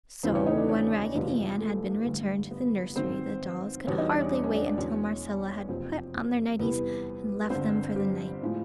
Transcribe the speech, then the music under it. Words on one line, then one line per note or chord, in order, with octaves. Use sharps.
So when Raggedy Ann had been returned to the nursery the dolls could hardly wait until Marcella had put on their nighties and left them for the night.
E1 D2 C#3 E3 C4 C5
C#4 C#5
D#4 D#5
D4 D5
C#4 C#5
F#1 E2 C3 F3 G#3
A3 A4
A1 G2 D3 G3
B3 B4
G#1 G#2 D#3 F#3 C4 C5
E1 E2 B2 G3 C#4 C#5
D#4 D#5
D4 D5
C#4 C#5
D4 D5
C#4 C#5
D4 D5
D4 D5
E2 B2 G#3 C#4 C#5
F#1 F2 C3 C4 C5
E2 C3 E3 G3 B3 B4
G1 G2 D3 C4 C5
G3 G4
A2 F3 G#3